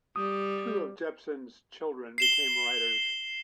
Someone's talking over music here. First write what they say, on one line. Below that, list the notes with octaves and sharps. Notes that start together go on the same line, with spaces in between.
Two of Jepson's children became writers.
G3 D#6
C7 E7 G7